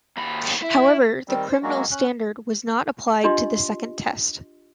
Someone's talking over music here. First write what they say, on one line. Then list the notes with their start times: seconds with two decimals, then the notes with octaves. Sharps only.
However the criminal standard was not applied to the second test.
0.18 D#2 B5
0.62 E4
1.28 D#3 G3 C4
1.49 C5
1.63 F#3 G#3 A#3 C#4 F#4
1.91 C#4 F#6
3.24 D4 F4 G4 D#5 C6